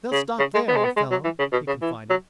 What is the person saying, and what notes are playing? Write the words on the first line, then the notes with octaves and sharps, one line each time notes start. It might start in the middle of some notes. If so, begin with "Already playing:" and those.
"They'll stop there, old fellow," he confided.
C#3
C#3
G#3
B3
G#3
B3
G#3
F#3
E3
C#3
B2
C#3
E3
F#3